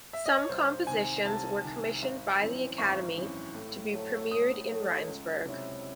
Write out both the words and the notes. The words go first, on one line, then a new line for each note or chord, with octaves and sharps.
Some compositions were commissioned by the academy to be premiered in Rheinsberg.
E5
D#5
C#5
C2 C5
C3 D#3 G#5
C2 A5
C3 D#3
G#1
F#2 E3 C4
G#1 C#6
F#2 E3 C4
A2
F#3 A3
A2 D#6
F#3 A3
C#2
C3 F#3 C#4 E4